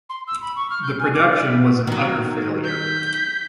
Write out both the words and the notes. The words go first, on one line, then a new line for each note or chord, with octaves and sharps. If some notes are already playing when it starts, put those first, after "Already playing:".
The production was an utter failure.
C6
E6
B5
C#6
F6
G6
G#5
D6
D5
E5
D#3 F#3
G6 B6